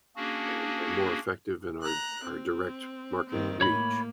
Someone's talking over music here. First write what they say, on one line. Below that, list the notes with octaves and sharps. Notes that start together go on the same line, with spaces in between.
and and more effective in our our direct marketing reach.
A#3 C#4 D4 F#4 G#4
A#5 F#6
C4
G2 D#3 C4
A2 A#3 C#5 B5